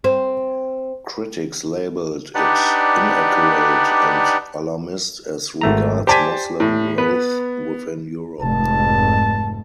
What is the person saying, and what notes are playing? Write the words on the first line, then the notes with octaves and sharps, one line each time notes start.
Critics labelled it inaccurate and alarmist as regards Moslem growth within Europe.
C4
D4 D#4 G4 B4 D5 F#5
G#1 A3 A#5
G4 C5 D5 G#5 A5 B6
A2
B3 B4
F1 G#2 A5